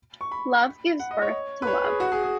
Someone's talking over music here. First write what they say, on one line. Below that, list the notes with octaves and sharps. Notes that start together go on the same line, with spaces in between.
Love gives birth to love.
C#6
B5
F#5
D#5
C#5
B4
C#5
G#4
F#4
G#4
G#4